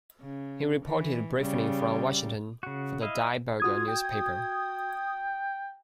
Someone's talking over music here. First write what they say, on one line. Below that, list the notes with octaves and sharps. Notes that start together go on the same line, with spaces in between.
He reported briefly from Washington for the "Die Burger" newspaper.
C#3
E3
C#3 G3
C#3 F#4
E4 D#5 F5
F4 F#4 D#6 G#6
G5